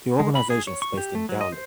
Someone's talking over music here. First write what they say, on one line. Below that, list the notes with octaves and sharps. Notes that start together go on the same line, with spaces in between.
The organization is based in Delhi.
G#3
B5
G#4
C#5
C#6
G4
A3
F#3
D#5
C5